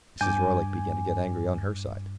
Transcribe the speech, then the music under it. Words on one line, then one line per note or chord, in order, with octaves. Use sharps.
Mrs. Roylake began to get angry, on her side.
G2 G#5 D6 G6